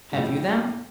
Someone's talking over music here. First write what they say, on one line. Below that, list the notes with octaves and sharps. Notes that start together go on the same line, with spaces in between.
"Have you them?"
F2 A2 C#3